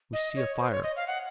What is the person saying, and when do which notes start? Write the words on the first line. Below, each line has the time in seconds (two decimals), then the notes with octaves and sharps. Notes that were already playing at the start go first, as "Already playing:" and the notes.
We see a fire.
0.13 D#5
0.36 C#5
0.60 C5
0.71 C#5
0.83 D#5
0.96 F5
1.07 F#5